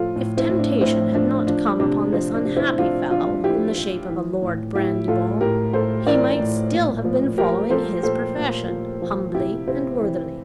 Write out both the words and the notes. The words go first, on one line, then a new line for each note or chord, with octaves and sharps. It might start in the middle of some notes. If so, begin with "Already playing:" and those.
If temptation had not come upon this unhappy fellow in the shape of a Lord Brandyball, he might still have been following his profession, humbly and worthily.
Already playing: A2 F3 F4 A4
A2
C4 E4
A2
D4
A2 C4 E4
F3 D4
F3 D4
C3 D4
F3 C4
D4
C3
C4 E4
F3 D4 F4
F3 D4 F4
F3 E4 G4
F3
E3
A2
A2 E4 G4
A2 F4 A4
A2 G4 A#4
A2 A4 C5
E3 A#4 D5
A2
A#2
F3
F3 G4 A#4
F3 A4 C5
A#2 A4 C5
A#2
F3
F3
C3 E4 G4
C3 C4 E4
E3